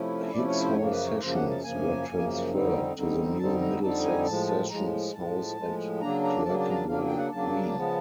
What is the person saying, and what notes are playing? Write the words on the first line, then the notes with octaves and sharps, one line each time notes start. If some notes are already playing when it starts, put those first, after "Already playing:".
Hicks Hall sessions were transferred to the new Middlesex Sessions House at Clerkenwell Green.
Already playing: C3 F3 A3 C#4 E4
C3 F3 A3 C#4 E4 D5
C#5
C5
F#2 C#3 F3 A#3 C#5
B4
C#5
F#2 C#3 F3 A#3 C5
F#5
A5
F#2 C#3 F3 A#3 G#5
F#2 C#3 F3 A#3
F2 D3 G3 C4 D#4
F2 D3 G3 C4 D#4
F2 D3 G3 C4 D#4 A5
A#5
F2 D3 G3 C4 D#4 A5
G#5
A2 F3 G#3 A5
A5
A2 F3 G#3 A#5
A2 F3 G#3 A5
A2 F3 G#3
C#3 F#3 A#3 D4 A#5
A#5
C#3 F#3 A#3 D4 A5
A5
A#5
A5
C#3 F#3 A#3 D4 F5
G5
F#5
C#3 F#3 A#3 D4 A5
C#3 F3 G#3 B3